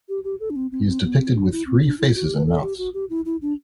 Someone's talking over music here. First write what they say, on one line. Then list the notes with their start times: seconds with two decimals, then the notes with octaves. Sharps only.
He is depicted with three faces and mouths.
0.09 G4
0.24 G4
0.40 A4
0.50 D4
0.56 C4
0.72 C4
0.87 C4
1.03 B3
1.19 C4
1.35 D4
1.52 E4
1.67 C4
1.83 D4
1.99 E4
2.15 F#4
2.25 G4
2.35 B4
2.46 A4
2.62 G4
2.78 F#4
2.94 G4
3.10 E4
3.25 E4
3.42 D4